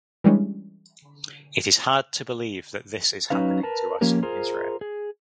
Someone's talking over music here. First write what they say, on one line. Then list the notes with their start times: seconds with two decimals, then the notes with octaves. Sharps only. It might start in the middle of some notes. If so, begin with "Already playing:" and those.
It is hard to believe that this is happening to us in Israel.
0.24 E3 G3 G#3 C#4 D4
3.30 F#3 C#4 D#4 B4 F5
3.63 A#4 B4 A5
4.01 F3 A#3 C#4 G4 A#4
4.23 F4 G#4 A#4 C5
4.81 G#4